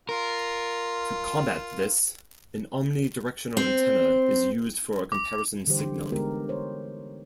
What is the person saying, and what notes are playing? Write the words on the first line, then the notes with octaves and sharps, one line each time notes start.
To combat this, an omnidirectional antenna is used for a comparison signal.
F4 A#4
C4
D6
D3 E3 G3 G4 C5
D3 G#3 B3 D#4 G4 A#4
C5 C#5